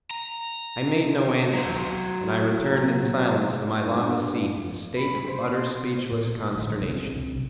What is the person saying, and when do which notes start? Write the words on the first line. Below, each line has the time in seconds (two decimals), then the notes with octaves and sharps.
I made no answer; and I returned in silence to my lava seat in a state of utter speechless consternation.
0.11 A#5
1.54 F#3 C5
3.85 G2
4.97 B5
5.28 C5
6.12 A#2
6.55 A1 D2 F#3 A3
6.80 C3 C#4
7.13 C#2 C3
7.34 B1